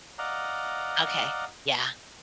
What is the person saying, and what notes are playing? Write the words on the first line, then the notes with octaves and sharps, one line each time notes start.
Okay. Yeah.
D5 D#5 F5 F#5 A#5